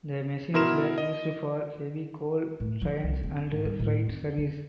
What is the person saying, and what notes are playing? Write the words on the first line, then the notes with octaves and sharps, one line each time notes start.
The machines were used for heavy coal trains and freight service.
B2 E4 A#4 C6 E7
D#5
A2
F3
C2
C4
G#2
G3
A2
F2
D3